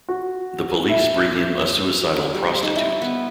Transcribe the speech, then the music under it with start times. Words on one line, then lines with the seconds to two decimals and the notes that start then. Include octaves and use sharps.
The police bring him a suicidal prostitute.
0.08 F#4
0.89 E4
2.35 G3
2.62 D#4
2.76 E4
3.02 B3